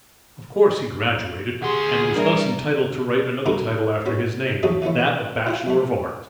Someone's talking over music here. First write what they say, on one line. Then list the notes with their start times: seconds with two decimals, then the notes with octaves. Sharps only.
Of course he graduated, and was thus entitled to write another title after his name--that of Bachelor of Arts.
1.62 D2 G4 G#4 F#5 C6
2.15 G3 D4 A#4 D5 E5
3.46 G2 B2 A#4 B4 D6
4.05 B3 C#4 F#4
4.63 E2 G#2 F#3 A3 F#4 G#4
4.82 E3 A3 C#4 E4
5.47 E4 F4 F#5
5.67 F#2 A3